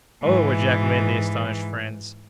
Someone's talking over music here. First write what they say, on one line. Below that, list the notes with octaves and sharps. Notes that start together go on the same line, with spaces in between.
"Oh!" ejaculated the astonished friends.
G#2 E3